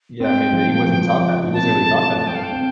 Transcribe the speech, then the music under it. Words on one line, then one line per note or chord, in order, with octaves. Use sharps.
Yeah. I mean, the you wasn't taught that. You wasn't really taught that though.
C4 G5
F3
F3
F3
C4 A5
A3
A3 A5
G5
F5
G5
C4